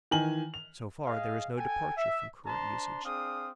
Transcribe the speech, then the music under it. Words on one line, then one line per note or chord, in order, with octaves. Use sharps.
So far, there is no departure from current usage.
D#3 E3 G#5 F#7
F7
G#4 D#5 F5
A4 G5 G#5
E5
D4 C5 A5 A#5 C6
C4 D4 G#4 F5 D#6